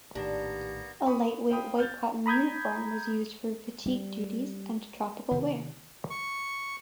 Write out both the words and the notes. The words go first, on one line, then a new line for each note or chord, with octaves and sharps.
A lightweight white cotton uniform was used for fatigue duties and tropical wear.
A#1 A2 D#3 A#3 B3 D4 G4 A#5
B5 C#6 D#6
C5 F5 G5 B5 D#6
F6 G6 A6
A#5 B5 D#6 G6 G#6
G3
C3 D#3
C#6